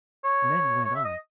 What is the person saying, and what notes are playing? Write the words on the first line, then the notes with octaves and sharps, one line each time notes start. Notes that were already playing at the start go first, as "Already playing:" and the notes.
And then he went on.
C#5
C#5
E5
D#5